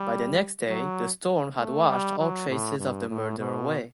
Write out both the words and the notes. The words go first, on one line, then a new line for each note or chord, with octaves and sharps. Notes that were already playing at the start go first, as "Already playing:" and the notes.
By the next day the storm had washed all traces of the murder away.
Already playing: G3
F#3
A3
G3
F#3
A2
G2
A2
B2